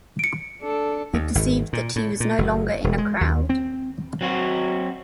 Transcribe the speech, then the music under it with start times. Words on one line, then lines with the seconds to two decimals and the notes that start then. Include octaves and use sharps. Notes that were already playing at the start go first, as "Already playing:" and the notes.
He perceived that he was no longer in a crowd.
0.19 C#7 D7
0.61 D4 A4
1.14 D#2
1.35 G#1
1.73 A#2
1.96 A2
2.20 A#2
2.38 F#1
2.84 E1
2.98 G#3
3.21 D#2
3.50 C4
4.21 F#3 C4 F#4